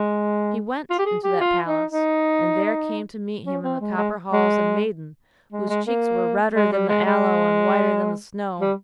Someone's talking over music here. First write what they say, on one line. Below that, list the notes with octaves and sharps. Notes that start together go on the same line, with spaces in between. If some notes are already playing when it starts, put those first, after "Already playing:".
He went into that palace, and there came to meet him in the copper halls a maiden whose cheeks were redder than the aloe and whiter than the snow.
Already playing: G#3
F4
G4
G#4
G4
F4
D#4
D#4
C#4
C4
G#3
G#3
G#3
G#3
G#3
A#3
G#3
G3
G#3
G#3
G3